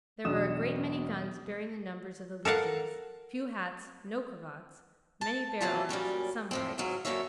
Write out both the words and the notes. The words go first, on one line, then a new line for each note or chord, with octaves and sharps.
There were a great many guns bearing the numbers of the legions, few hats, no cravats, many bare arms, some pikes.
E1 B1 D4 D#5 D#6 E7
A4 A#4 F5 F#5
A5
D#2 C3 E3 F#3 F4 A5
F#2 A#2 G3 C#4
F2 A2 C4
F2 G#2 C#3 F#3
F#2 D3 F3 A#3 C#5 E5